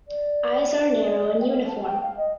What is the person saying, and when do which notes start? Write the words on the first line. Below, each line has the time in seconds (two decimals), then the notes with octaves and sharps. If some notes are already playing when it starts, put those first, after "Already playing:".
Eyes are narrow and uniform.
0.08 D5
1.27 D#5
1.40 G5
1.47 F5
1.67 A5
1.86 G5
2.01 F5
2.17 D#5